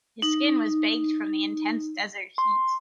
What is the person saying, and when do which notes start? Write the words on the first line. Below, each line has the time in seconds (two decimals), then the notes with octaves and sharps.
His skin was baked from the intense desert heat.
0.22 D#4
2.38 C6